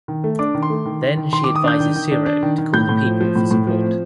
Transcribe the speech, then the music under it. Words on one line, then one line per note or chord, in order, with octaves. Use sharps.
Then she advises Siroe to call the people for support.
D#3
A3
D4 D6
D#3
C6
A3
D#3
D#3
D#3
D#3 C6
D#3 D6
D#6
D4 G6
D#3
D#3
D4
D4
D#3
D#3
A2 G6
A2
F3
F3
A2
A2
F3
C4